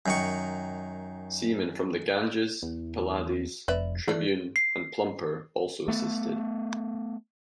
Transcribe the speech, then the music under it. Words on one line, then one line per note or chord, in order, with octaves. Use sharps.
Seamen from the "Ganges", "Pylades", "Tribune", and "Plumper" also assisted.
F#2 D#3 C#6
E2
F1 B4 D5 E5
E3 A3 D5
C7
A3 B3